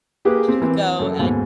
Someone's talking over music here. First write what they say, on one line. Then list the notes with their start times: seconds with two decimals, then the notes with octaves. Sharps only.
we go I
0.25 A#3 G4 G#4 B4
0.48 C4
0.61 E3 C4
0.99 F#2 A4
1.19 D#2 G#2 B2